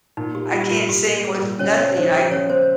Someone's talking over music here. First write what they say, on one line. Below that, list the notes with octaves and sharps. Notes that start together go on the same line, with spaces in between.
I can't sing with nothing, I
A#2 D#4
A#3 G4
G3 F4
G4
A#2 F4
A#2 G4
A#3
G3 G#4
A#2
C#3 C#4 C#5
C4 C#4 C#5
F3 C5
G4
C#3 C#4 C#5
C4 C5